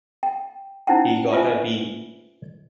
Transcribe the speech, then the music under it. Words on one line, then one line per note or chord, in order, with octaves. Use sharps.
He got a B.
G5
C#4 D#4 E4 C5 F#5 G5
F4 B4 C5 E5 G#5